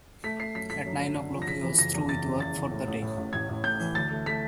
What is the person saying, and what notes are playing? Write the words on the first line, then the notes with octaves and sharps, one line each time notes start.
At nine o'clock he was through with work for the day.
A3 B6
A3 C7
F#2 B6
A3 B6
F#2
F#2
D3
F3
A#6
C#3 B6
E3
F#1 A#6
E2
F#1 A6
C#3
F#1 A6
F#1
A2
A1
A2
A1
A1 G#6
A1
A2 G6
E3
D2 A6
A3
A3 B6